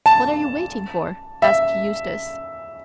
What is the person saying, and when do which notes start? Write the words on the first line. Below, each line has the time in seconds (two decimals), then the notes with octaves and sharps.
"What are you waiting for?" asked Eustace.
0.06 A5
1.42 E5